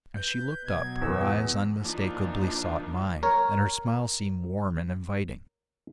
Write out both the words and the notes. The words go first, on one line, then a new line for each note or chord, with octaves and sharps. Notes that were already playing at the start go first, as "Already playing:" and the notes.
As she looked up, her eyes unmistakably sought mine, and her smile seemed warm and inviting.
B4 G6
B2 F#3 G#6
E2 B3 E6
E3 F3 A#3 D4 D#4 F4
A#4 C#5